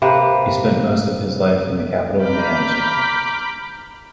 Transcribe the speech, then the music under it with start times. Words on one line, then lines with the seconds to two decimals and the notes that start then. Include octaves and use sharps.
He spent most of his life in the capital Nanchang.
0.02 C3 A#3 B4
2.22 A#5 B5 D6 F6 G6 B6